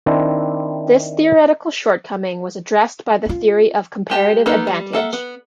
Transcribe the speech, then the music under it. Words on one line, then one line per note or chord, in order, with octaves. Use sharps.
This theoretical shortcoming was addressed by the theory of comparative advantage.
D#3 C4 D4 E4
C#4 F4
G#3 G4 A5
A#3 B3 D#4 A4 B4
G3
A#3 A4 E5 F#5
B3